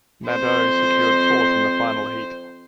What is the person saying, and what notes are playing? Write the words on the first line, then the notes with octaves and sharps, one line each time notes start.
Nadeau secured fourth in the final heat.
F2 C5